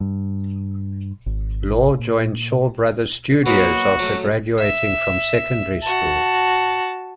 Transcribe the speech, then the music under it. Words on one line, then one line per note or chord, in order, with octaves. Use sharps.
Lau joined Shaw Brothers Studios after graduating from secondary school.
G2
G#1
A#2
B2 F#3 A#3 F#4
F#3 A3
E5
F#4 A5